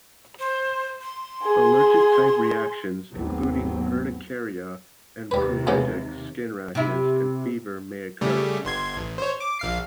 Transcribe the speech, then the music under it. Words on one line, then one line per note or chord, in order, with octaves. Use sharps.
Allergic-type reactions, including urticaria, pruritic skin rashes, and fever, may occur.
C5
C6
G#4
G#1 D#2 F#3 A3 B3 C4
D#2 C3 G3 B4
E2 C#3 G#3
C3 E4
C#3 G3 A3
G1 C6 G#6
A1
C5 C#5
D6
A#1 F5 C7